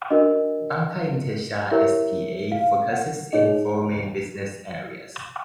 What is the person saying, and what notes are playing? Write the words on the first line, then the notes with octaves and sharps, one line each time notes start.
Banca Intesa S.p.A. focuses in four main business areas.
D4 F#4 A#4 D#5
E4 G4 A#4 C#5 E5
F5
F#5
D#4 G#4 C#5 D#5